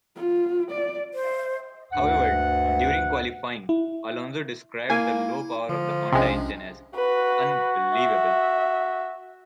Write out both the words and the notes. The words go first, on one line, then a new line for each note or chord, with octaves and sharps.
However, during qualifying Alonso described the low power of the Honda engine as "unbelievable".
F4
D5
C5
D2 G2 F#5
E4
A#3 E4 G#5
D3 F3
B1 C3 G#3 C#4 D4
F#4 B4
E5